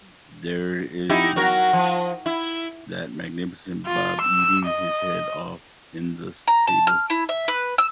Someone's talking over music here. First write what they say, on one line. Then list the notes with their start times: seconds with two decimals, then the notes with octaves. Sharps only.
There is that magnificent Bob, eating his head off in the stable.
1.09 D#4 E4 G4
1.36 F#3 F#4 A#4
1.73 F3
2.26 E4
3.87 F4
4.21 E6
4.65 D#5
6.48 A#5
6.67 A5
6.87 F6
7.10 E4
7.29 E5
7.48 B4
7.78 E6